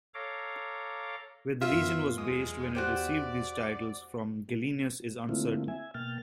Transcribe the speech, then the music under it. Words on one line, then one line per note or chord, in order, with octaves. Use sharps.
Where the legion was based when it received these titles from Gallienus is uncertain.
A4 C#5 F5 A#5 D6
F#2 B3 F4 E5
E2 G#3 D#6
F#4 G4 C5 D5
D3 A3 A#3 C4 E4 F4
E5 G#5
B2 A#3 G5 F6 A6